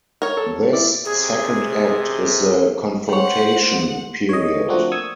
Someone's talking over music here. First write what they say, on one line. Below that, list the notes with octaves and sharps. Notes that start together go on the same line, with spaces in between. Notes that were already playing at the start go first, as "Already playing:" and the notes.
This second act is the 'Confrontation' period.
A#4 C#5
A4
E4 D5
C3 G#4
G3 C5 C#5 F#5
C#5 D#5
F3 A3 A#3 C4 D4 F#4
C#6 D#6 E6 G#6